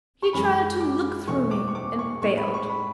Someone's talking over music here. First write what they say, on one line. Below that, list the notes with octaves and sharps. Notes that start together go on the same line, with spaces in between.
He tried to look through me, and failed.
C#6
F#2 E3 G#3 B5
D6
E2 B2 A3 C#6
D6
C#6
D6
C#6
A2 G#3 C#6
B5
C#6
B5